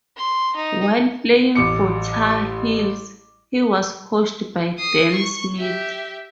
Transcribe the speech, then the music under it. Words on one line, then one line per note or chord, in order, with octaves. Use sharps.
While playing for Tar Heels, he was coached by Dean Smith.
C6
D#4
A1 D6 C#7
D#6 C7
C#6
G4 E5